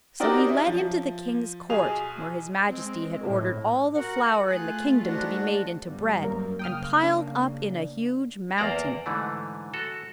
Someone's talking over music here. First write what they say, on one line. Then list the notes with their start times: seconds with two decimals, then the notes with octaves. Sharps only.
So he led him to the king's court, where his majesty had ordered all the flour in the kingdom to be made into bread, and piled up in a huge mountain.
0.20 C4 D#4 F#4 G4 A#4 D5
0.46 C#4 E4
0.67 F3
1.69 B1 G#4 G#5 F7
2.69 G#3 C4
3.22 A2
3.95 F#4 A#4 F#5
4.47 A3 F4 G#4 F#6
5.04 G#2 D4 F#4
5.87 G1 G3
6.22 F#2 A#3 A#4
6.59 C#3 A#3 G5 D#6 F6
7.03 D4
8.58 E2 A#3 C5 D5 A#5
9.06 G#2 D3 E3 A3
9.74 F#4 A4